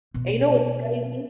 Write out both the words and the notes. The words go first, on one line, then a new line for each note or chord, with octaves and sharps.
And you know what's crazy?
B2